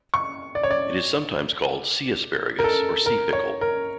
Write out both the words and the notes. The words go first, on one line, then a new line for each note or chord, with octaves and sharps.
It is sometimes called sea asparagus or sea pickle.
C#6
D5
C#5
D5
A#4
A4
A#4
C#5
A#4